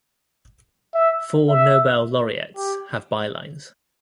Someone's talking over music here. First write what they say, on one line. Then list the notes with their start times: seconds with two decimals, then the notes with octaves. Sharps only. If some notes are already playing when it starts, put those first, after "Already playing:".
Four Nobel Laureates have bylines.
0.94 E5
1.49 E5
2.56 G4